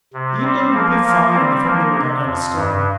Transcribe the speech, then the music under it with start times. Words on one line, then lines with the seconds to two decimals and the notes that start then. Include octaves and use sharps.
The evening will be fine, if only we don't have a storm.
0.14 C3
0.43 G3 C4
0.73 F3 A#3
1.03 F3 A#3
1.35 G3 C4
1.65 F3 A#3
1.94 C3
2.25 F2
2.55 G2